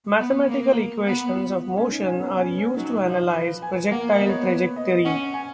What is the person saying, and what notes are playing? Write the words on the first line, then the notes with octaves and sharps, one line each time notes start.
Mathematical equations of motion are used to analyze projectile trajectory.
B3
A#3
B3
F4
C#4
D#4
C#4
B3
C#4
C#4
F#3 D#4
F3 F4
B4
G#5
A#3 F#5
D#5
B3
C#5
B4
D#5
C#4 F#5
G#5